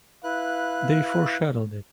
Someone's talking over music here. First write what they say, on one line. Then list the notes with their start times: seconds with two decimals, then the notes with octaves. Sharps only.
They foreshadowed it.
0.24 E4 B4 F5 F#6